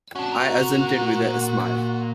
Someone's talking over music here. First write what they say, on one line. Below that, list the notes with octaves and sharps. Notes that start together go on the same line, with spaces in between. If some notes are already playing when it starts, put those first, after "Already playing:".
I assented with a smile.
C#4 D4 F#4
A#2 A#4